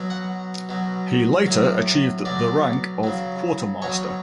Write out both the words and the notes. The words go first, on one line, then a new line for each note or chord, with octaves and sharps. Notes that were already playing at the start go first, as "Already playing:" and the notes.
He later achieved the rank of quartermaster.
Already playing: B2 F#3
F#5
B2 F#3
A2 F#3
B2 F#3 D5
C#3 F#3
B2 F#3 C#5